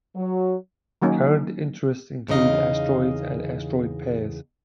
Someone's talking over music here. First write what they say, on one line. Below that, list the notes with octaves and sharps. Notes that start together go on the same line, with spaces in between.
Current interests include asteroids and asteroid pairs.
F#3
D#3 F#3 A#3 C#4 D#4
E2 C#3 D#4 D#5 F5